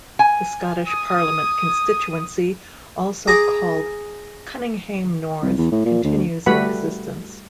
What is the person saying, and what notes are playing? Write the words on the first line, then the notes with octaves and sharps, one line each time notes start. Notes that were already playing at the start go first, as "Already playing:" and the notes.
The Scottish Parliament constituency also called "Cunninghame North" continues in existence.
G#5
D#6
G#4 A#5 D6
C2
E2
A2
A#2
D2
G3 A3 F#4 B4 F#5 B5